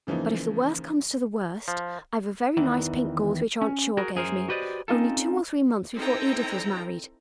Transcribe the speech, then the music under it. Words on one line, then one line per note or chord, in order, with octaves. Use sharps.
But if the worst comes to the worst, I've a very nice pink gauze which aunt Shaw gave me, only two or three months before Edith was married.
C#3 E3 F3 A#3 D#4
F3
E2 D#3 E3
C#4
F#4 G#4 A#4
F#2 G#4 A#4 C5
F#4 G4 B4 C5 D5 D#5
C4 C#4 D#4 F4 A4
C4 D#4 E4 A4 G5 A#5